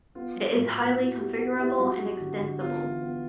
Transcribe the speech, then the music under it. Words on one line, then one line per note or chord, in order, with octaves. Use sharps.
It is highly configurable and extensible.
B3 F4
F#3
A2
B3
E4 F#4
G4
B3
E4 G4
F4
F#3 F#4
F#3
D3
D3
B3 F4
E3
B3